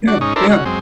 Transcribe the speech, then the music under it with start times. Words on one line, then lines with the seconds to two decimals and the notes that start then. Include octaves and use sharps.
Yeah, yeah.
0.07 D4 F#4
0.21 G#2 C#4 D#4
0.36 D4 E4 A4 A#4 C5
0.50 C#3 F#4
0.65 F#2 G#3 C4